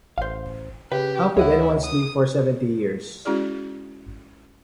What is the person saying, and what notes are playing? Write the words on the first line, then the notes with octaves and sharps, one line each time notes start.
How could anyone sleep for seventy years?
A1 C5 F5
C#3 G4 B4
D2 E4 C#5 D#5 F#5
D#6
G#3 C#4 E4 F#4 G#4 D5